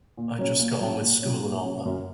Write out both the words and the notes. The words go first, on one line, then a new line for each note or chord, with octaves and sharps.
I just got on with school and all that.
A#2
F#3 C#4
A#2
F#3 C#4
A#2
F#3 C#4
A#2
F#3 C#4
F#2